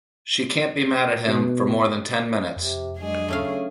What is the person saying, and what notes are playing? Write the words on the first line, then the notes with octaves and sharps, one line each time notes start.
She can’t be mad at him for more than ten minutes.
B2
F2 C3
F#3 G#3 D4 G#4
C#3 A3 C#4 F5